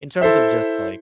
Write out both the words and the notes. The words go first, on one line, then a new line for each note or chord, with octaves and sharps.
in terms of just like
E4 A4 C5 E5